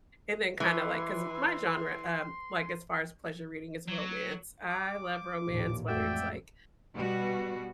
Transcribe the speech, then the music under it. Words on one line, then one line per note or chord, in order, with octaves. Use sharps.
and then kinda like 'cause my genre, um, like, as far as pleasure reading, is romance. I love romance, whether it's, like,
E3 C6
F#3
D6
A1 D#2 A#2
F2 G#2 A3 F#4 D5 E5 G5 E6
B2 G3 F#4